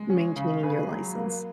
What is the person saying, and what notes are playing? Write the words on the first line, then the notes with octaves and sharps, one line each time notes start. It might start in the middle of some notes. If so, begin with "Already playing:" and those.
maintaining your license.
Already playing: G#3
C#4
C#3
C#3 G#4 B4
F#3
A#3